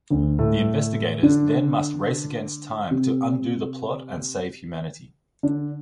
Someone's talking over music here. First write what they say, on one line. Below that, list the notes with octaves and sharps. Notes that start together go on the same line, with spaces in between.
The investigators then must race against time to undo the plot and save humanity.
D2 D3
A2 A3
D3 D4
C3 C4
D3 D4